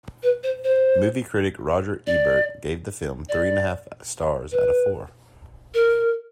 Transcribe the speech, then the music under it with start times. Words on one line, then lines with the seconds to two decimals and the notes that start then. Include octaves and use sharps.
Movie critic Roger Ebert gave the film three-and-a-half stars out of four.
0.23 B4
0.43 C5
0.64 C5
2.07 D5
3.29 D5
4.52 B4
5.74 A#4